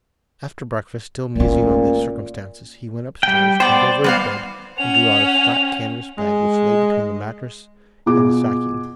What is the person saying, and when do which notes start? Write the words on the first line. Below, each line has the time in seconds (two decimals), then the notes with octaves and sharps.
After breakfast, still musing on the circumstances, he went upstairs, turned over his bed, and drew out a flat canvas bag which lay between the mattress and the sacking.
1.36 A#2 A3 C#4
3.23 G3 G5
3.60 B3 C5 D5 G5
4.04 G3 B3 F5
4.78 C#4 F#5 F7
6.18 G#3
8.06 B2 F4 G#4 D6